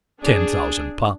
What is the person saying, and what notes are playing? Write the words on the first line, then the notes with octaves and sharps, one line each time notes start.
Ten thousand pounds.
D4 G#4